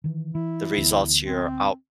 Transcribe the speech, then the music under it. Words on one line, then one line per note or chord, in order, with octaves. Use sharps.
the results you're out
D#3 E3
E3 E4
D2 E3 B3
C4